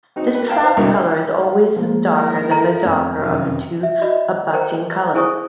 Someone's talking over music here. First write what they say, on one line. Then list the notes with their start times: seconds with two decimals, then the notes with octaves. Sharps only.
This trap color is always darker than the darker of the two abutting colors.
0.16 C4 D#4 F#4
0.34 A#3 B4
0.48 F5 G5 A5 A#5
0.63 C5 F5
0.77 C2 B2 D3 E4 A#4 D#5
1.40 F5
1.76 F3 G#3 A#3
2.12 E4 A#4
2.51 A4 A#5
2.85 F2 B3
3.15 F#2 C3 D#3
3.83 E5
4.02 F#4 D5 D#5 B5
4.53 A#4 C5 G5 A#5
5.14 E4 G#4 C5 G#5 C#6 D#6